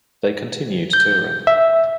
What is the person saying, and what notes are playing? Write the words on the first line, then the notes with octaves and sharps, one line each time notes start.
They continued touring.
G6
E5